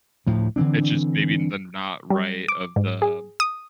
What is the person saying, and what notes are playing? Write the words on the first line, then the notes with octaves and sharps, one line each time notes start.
it's just maybe the not right of the,
D2 A2 F3
D3 E3 C4 D4
G3
D6
G#2
G#4
D#6